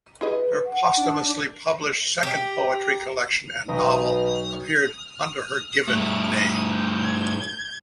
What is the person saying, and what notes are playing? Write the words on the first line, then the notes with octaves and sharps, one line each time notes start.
Her posthumously published second poetry collection and novel appeared under her given name.
E4 G#4 B4 D#5
F#5
D4
G4
B1 B2 A#5 D#6
G2 A3